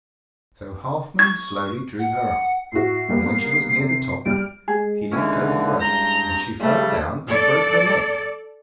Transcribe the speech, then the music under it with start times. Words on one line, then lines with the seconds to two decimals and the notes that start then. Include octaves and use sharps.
So Halfman slowly drew her up, and when she was near the top he let go the rope, and she fell down and broke her neck.
1.19 C#6 G#6
1.99 F#5
2.72 A2 F#4 C7
3.09 G3 A#3 B3
3.77 C3
4.26 G3 F6 D7
4.68 G#3 G#4
5.11 D#2 D3 E3 C#4 E4 G#5
5.81 G2 A#5 G6
6.61 C#3 G3 A3
7.29 A4 D5